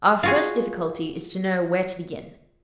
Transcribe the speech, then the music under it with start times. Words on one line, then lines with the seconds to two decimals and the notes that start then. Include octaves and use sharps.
Our first difficulty is to know where to begin.
0.23 F4 F#4 G#4